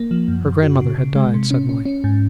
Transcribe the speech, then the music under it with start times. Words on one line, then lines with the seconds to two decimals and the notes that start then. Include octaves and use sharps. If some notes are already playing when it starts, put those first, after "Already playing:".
Her grandmother had died suddenly.
Already playing: A#3
0.11 F3
0.28 F#2
0.45 F#2
0.63 F#4
0.81 C#3
0.98 C#3
1.15 G#3
1.34 C3
1.51 C#4
1.69 C#4
1.85 C#4
2.04 G#2